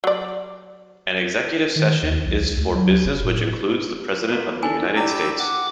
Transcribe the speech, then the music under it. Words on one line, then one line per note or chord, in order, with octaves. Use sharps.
An executive session is for business which includes the President of the United States.
F#3 D5
D#3
D#2
B1
C#2
D2
F#3
F1
A2
A#3 B3 F4
D4 A4 G#5
E4 G4 D5 B5 E6
F#5 D6